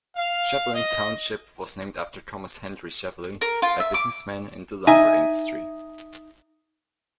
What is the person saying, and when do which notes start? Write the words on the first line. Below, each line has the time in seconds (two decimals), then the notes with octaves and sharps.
Shevlin Township was named after Thomas Henry Shevlin, a businessman in the lumber industry.
0.15 F5
0.72 D#5
3.41 A#4
3.62 F4
3.80 E5
3.94 D6
4.87 D#4 E5 G#5